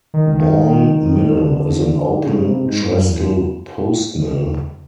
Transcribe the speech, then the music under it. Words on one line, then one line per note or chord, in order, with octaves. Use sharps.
Bourne Mill is an open trestle post mill.
D#3
D#3
D3
C#3
C3
G#2
G2
F#2
E2